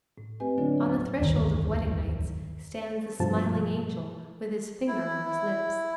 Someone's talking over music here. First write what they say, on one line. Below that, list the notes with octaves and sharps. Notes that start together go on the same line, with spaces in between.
On the threshold of wedding nights stands a smiling angel with his finger on his lips.
A2
A3 C4 G4 B4 D#5 G#5
D3 F#3 B3 D4 F4 C#5
D#2 D6
D1 G1 E2 D#3
G2 B2 F3 A5
E4